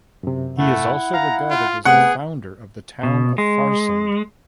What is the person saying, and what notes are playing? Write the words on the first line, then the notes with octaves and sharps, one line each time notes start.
He is also regarded as the founder of the town of Farsund.
F#2 C3
A3 E4 F#5
F5 A#5
F4
C3 A3 B3 G#4 F#5
B2
G#3